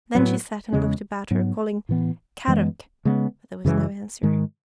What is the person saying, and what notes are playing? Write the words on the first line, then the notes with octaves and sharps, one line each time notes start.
Then she sat and looked about her, calling "Kadok!" but there was no answer.
A2 F#3 B3
E2 C#3 G#3 C#4
G#2 F#3 B3
A2 E3 B3
F#2 E3 G#3 B3
C#3 G#3 B3
F#2 C#3 E3 G#3
G#2 D#3 G#3